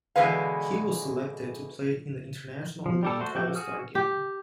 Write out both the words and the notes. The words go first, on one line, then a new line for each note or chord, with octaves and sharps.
He was selected to play in the International League All-Star game.
B2 D3 E3 G#3 B4 F5
F3
G3 G4 A4
A3 F#4 C5
F3 F#4 G4 A4 G6
F#4 G#4 D#6 F6
G4